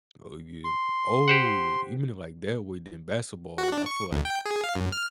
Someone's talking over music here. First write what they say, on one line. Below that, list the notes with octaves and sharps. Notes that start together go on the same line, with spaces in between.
Oh, yeah Oh! Even in, like, that would in basketball, I feel like,
C6
G4 C5 F#5
F#4
D4
C#6
D2
G5
G#4
F5
F#2
F6